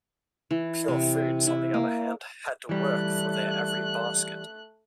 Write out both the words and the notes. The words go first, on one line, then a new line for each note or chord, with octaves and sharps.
Purefoods, on the other hand, had to work for their every basket.
E3
C3
E4
A#3
E3 G3 A3 F#6